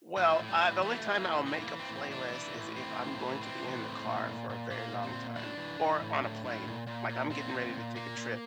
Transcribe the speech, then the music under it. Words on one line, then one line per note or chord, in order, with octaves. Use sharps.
Well, ah, the only time I'll make a playlist is if I'm going to be in the car for a very long time or on a plane. Like, I'm getting ready to take a trip,
A2 F3
A2
G3
E3
E3 A3
E3
A#3
A2
E3 C4
A#3
E3
C4
A2
C4
E3 D4
E3
A2
E3 C4
A2
E3
E3 C4
A2
A2
A#2
A#2
A#2
A#2 A#3
A#2
C4
A#2
A2 D4
E3
E3
A2
A2
A2
A#2
A#2
A#2
A#2 C4
A#2
A#2
A#2 A#3
A#2